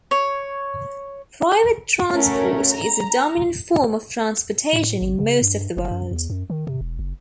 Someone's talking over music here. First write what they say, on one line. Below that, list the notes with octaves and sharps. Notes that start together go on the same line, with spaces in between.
Private transport is the dominant form of transportation in most of the world.
C#5
A3 C#4 F#4 A#4
A#5
A2
G#1
C#3
G2
F#1
F#2
E2
F#2
D#3
C3
E1
F#1